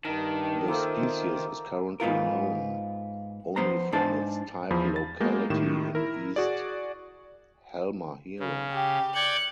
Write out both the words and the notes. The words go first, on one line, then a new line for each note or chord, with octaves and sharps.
The species is currently known only from its type locality in East Halmahera.
G2 D#3 D4 A#5
A#3 F4 A4 C5 E5
G#2 B3 F4 A#4
F3 B3 C5 A#5
G#2 D4 C5 A5
E2 F3 B5
A6
G#3 A#3 B3 F#4 G6
A2 D#3 G4 E7
E4 A#4
F#4 G#4 D5
C#3
G4
D5 G5 F#6 G#6 C#7